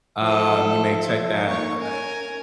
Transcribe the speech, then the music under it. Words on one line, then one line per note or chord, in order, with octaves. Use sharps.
um, you may check that, uh,
F3 A4 C5 E5
A#3 D#4 C#5 C#6
C#4 A#4 G#5